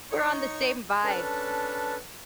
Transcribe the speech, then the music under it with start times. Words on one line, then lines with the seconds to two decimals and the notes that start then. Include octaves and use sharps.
We're on the same vibe.
0.11 D#4 C#5 C#6
1.04 C#4 D4 A4 B4